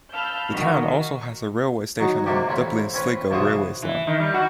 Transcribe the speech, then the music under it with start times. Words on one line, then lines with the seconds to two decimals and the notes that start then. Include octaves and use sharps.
The town also has a railway station on the Dublin-Sligo railway line.
0.12 F5 A5 B5 E6 F6 G6
0.51 D#3 F#4
2.00 F#3 D#4 F#4
2.26 G#2 C3 A#3 F#4 G4
2.48 A1 C4 C#4 B5
2.94 C4 C#4 B4
3.31 B1 C#3 E3 F#4 C5 D#6
3.83 E3
4.07 D#3
4.19 G3
4.34 F#4